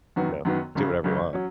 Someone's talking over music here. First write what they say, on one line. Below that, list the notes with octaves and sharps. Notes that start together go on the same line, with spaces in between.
you know, do whatever you want.
F#2 D#3 F#3 B3 F#4
F#2 D#3 F#3 B3 F#4
F#1 F#2 C#3
F#1 F#2 C#3
F#3 C#4